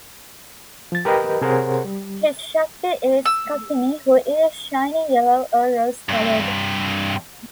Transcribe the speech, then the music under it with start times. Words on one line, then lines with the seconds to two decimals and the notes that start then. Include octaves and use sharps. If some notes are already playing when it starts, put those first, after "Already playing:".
His shakti is Kakini, who is shining yellow or rose-coloured.
0.92 F3 A6
1.05 G4 A#4 B4 D#5 G5
1.42 C3 G#4 A#4 C5 C#5 F#5
1.85 G3
3.25 E6
6.09 G2 C4